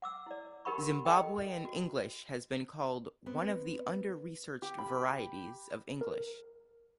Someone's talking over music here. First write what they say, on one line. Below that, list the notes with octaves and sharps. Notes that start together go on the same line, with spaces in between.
Zimbabwean English has been called "one of the under researched varieties of English".
F#5 D6 E6
E4 D5
D#4 G4 A#4 F#5 B5 C#6
D#4 A4 D#5 G5
F#4
B3 C4 B4
G4
B5
A#4